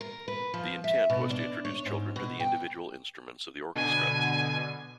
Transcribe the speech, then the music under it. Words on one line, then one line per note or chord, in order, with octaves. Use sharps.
The intent was to introduce children to the individual instruments of the orchestra.
A#4
B4
F3
E5
B2
D4
C#5
G#2
B2
G5
B2 D3 G#5